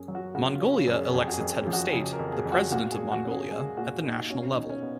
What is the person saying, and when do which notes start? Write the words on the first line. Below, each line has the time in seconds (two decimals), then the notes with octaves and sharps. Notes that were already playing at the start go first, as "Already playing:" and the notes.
Mongolia elects its head of state-the President of Mongolia-at the national level.
Already playing: F#2 C#4 G#4
0.08 F#3
0.15 F#4
0.35 C#3 F#4
0.54 F4
0.61 C#4
0.87 F#2
0.94 G#4
1.14 F2 G#4
1.28 F#4
1.34 G#4
1.40 F2
1.54 G#4
1.67 F3
1.73 F#4
1.93 C#3 G#4
2.13 A#4
2.19 F2
2.32 G#4
2.45 F2
2.52 F#4
2.72 A#2 F#4
2.92 G#4
2.98 A#2
3.12 F#4
3.25 C#4
3.31 G#4
3.51 G#3 G#4
3.77 A#2 F#4
4.03 A#2 D#4
4.30 C#4 F#4
4.49 D#4
4.57 B2
4.69 C#4
4.83 B3